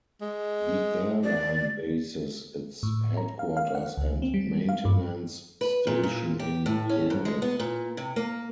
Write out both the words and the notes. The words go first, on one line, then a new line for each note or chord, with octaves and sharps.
The airline bases its headquarters and maintenance station in Yangon.
G#3
D5
A2
A#5
F5
F5
F#5
C#2
C4
G3
F5
G2
B4
A#2
A#2
G4
A2
C#4
G#2
G#3
B3
A#2
C3
A#3